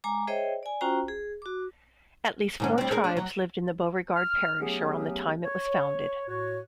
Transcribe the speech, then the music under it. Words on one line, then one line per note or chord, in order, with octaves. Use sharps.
At least four tribes lived in Beauregard Parish around the time it was founded.
G#3 G#5 A#5 D6
G#4 C5 C#5 D#5 E5 G5
D5 G#5
C#4 F4 F#4 C5 G5 A#5
G#4
F#4 D6
G#2 D3 C#4
G3 C4
G#4 A#4
D4
F#3
F6
F#3 A3 B3 C#4 G4 G#4
C#5
A2 F#4 C#5